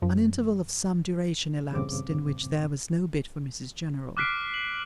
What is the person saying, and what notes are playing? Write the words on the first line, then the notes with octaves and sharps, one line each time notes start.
An interval of some duration elapsed, in which there was no bid for Mrs General.
F#2 F3
E2 G2 A#2 C#3 C4 D6
D6 F6 F#6 B6 C7 D7
F#7